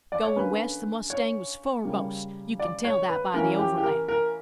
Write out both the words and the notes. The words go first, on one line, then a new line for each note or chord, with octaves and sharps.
Goin' west the mustang was foremost; you can tell that by the overlap.
D5
C#5
D3 A#3 C#4 B4
C#5
C#3 G3 A#3
D5
C#5
B4
E3 A#3 C#4 A#4
G4
G4
A#4
A#4